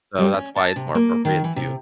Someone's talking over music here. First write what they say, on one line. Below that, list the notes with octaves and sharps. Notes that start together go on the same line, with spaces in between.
So, that's why it's more appropriate to
G3
C#4
A5
C3
A#3
D#3
E3
C3